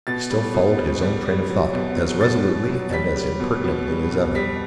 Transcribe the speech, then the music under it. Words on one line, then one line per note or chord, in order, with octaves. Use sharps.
He still followed his own train of thought, as resolutely and as impertinently as ever.
B2 A6
G3
B2
G3
G3
G3
F#3
B2
F#3
B2 A6
B2
F#3
G3 B6
G3
B2
B2
G3
B2
G3 B6